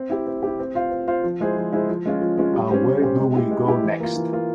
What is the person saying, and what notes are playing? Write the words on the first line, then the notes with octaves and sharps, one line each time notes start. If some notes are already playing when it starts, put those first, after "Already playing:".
And where do we go next?
Already playing: C4
E4 G4
C4
E4 G4
C4
F4 C5 F5
C4
F4 C5 F5
F3
G#3 E4 G#4 C5
F3
G#3 E4 G#4 C5
F3
G#3 C#4 F4
F3
G#3 C#4 F4
G3
C#4 G4 C5
G3
C#4 G4 C5
G#3
E4 G4
G#3
E4 G4
E3
A#3 F4
E3
A#3 F4